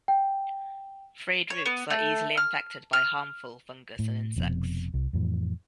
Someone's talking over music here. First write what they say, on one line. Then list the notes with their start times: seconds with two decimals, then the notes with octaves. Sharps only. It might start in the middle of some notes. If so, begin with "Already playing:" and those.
Frayed roots are easily infected by harmful fungus and insects.
0.08 G5
1.50 C#5
1.66 B3
1.90 A3
2.37 F6
2.93 F6
3.99 A2
4.36 F1 F2 B2
4.94 C2
5.13 F2 A2 E3